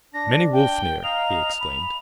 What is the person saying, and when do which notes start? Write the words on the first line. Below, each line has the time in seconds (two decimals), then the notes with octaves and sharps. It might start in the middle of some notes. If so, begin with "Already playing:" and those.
"Many wolf near," he exclaimed.
0.14 D4 A#6
0.53 G5
1.03 D#5 F5 A#5 F7
1.61 B5